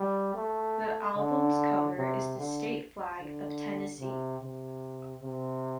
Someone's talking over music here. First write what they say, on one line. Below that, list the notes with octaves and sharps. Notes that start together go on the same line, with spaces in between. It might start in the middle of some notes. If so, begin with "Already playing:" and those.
The album's cover is the state flag of Tennessee.
Already playing: G3
A3
D3
C3
D3
D3
C3
C3
C3